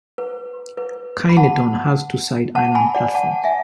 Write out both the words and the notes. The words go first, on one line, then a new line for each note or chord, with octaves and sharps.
Kyneton has two side island platforms.
B4
B4
B5
F#5 A5
F#5 A5
G#5 B5
D5 F#5
F#5 A5
E5 G#5